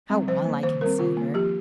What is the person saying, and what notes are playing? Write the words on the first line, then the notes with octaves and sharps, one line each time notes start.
How well I can see her!
G3 C4
F3 C5
A#3
D#3 C5
G3 C4 A#4
D#3 F4
A#3
F3 G4